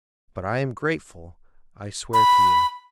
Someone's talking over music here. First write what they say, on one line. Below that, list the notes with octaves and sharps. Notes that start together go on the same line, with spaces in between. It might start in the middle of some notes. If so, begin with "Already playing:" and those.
"But I am grateful, I swear to you."
B5